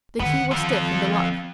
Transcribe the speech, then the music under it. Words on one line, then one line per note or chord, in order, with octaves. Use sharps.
The key was stiff in the lock.
D3 D#3 B3 F#5
F3 C4